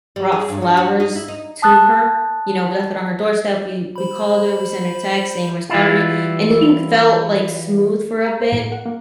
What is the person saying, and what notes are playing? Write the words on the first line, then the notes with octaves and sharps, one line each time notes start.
brought flowers to her. You know, we left it on her doorstep, we we called her, we sent her texts saying we're sorry. And everything felt, like, smooth for a bit
G3
G#4
G2
F#4
F#4
D#4
E4
D#4
A5 D#6 F#6 A6
C5 B5
E3 G3 E4 F4
A#5
C5
A2
F#5
A#3